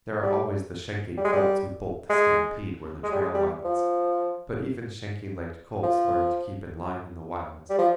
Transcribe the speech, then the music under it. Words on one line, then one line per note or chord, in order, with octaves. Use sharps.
There are always the shanky colts who bolt to stampede where the trail widens; but even shanky-legged colts learn to keep in line in the wilds.
G3
G3
G#3
G3
G#3
G#3
G3
G#3
G3
F3
F3
G3
F3